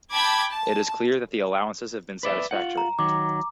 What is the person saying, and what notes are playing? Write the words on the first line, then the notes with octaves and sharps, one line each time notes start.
It is clear that the allowances have been satisfactory.
G5 A5 B5 D6 G#6
A5
B4 D5 E5
F4 F#5
A#5
D#3 F#3 D6